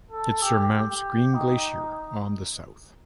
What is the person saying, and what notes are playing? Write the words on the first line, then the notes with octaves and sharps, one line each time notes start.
It surmounts Green Glacier on the south.
A4
G4
G4
D#4